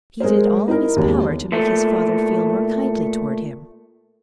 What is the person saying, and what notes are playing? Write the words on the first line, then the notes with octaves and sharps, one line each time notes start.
He did all in his power to make his father feel more kindly toward him.
G#3 G#4 A#4 C5
D#4 E4 A#4
E1 D#2
A#2 A3